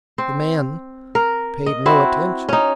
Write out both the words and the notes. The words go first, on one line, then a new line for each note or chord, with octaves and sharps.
The man paid no attention.
C4
A#4
D#5
C4 E4 F#4
C#4 D#4